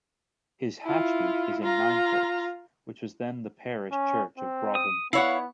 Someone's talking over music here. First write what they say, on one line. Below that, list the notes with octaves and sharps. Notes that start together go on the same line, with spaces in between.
His hatchment is in Ninekirks, which was then the parish church of Brougham.
E4 F4
F4 A#5
C#4
C4
D#6
B3 E4 C#5 F5 F#5